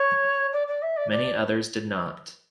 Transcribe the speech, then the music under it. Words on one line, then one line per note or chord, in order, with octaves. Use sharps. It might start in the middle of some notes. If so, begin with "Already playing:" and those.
Many others did not.
Already playing: C#5
D5
D5
E5
D5
D5